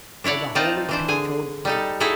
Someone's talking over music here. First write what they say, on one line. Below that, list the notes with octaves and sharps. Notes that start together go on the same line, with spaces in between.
By the Holy Pink-toed Prophet!
D4 E4 C#5 D5 F#5
C4 D#4 F4 D5 A5 A#5
E3 D4 C5
D3 G#4 G#5
G3 D#4 A4
D#4 E4 F#4 G#4 A4 E5